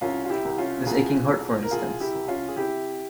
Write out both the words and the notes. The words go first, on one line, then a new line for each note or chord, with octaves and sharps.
This aching heart, for instance.
C2 C#4 F4
F4
E4 G4
C2
C#4 F4
C2 F4 G#4
C2
A#4
C2 F4 G#4
E4 G4
C2
C#4 F4
G#4
C3 E4 G4